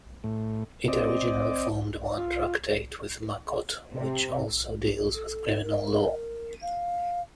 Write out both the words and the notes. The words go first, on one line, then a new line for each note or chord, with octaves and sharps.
It originally formed one tractate with Makkot, which also deals with criminal law.
A2
C4 D5 D#5
F4
C3
A4
A#4
F5